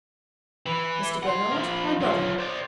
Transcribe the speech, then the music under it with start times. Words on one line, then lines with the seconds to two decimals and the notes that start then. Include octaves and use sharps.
Mr. Bernard--my brother.
0.66 E3
1.23 F#5 C6
1.51 F3 A#4
2.01 F#3 F4
2.39 C5 D5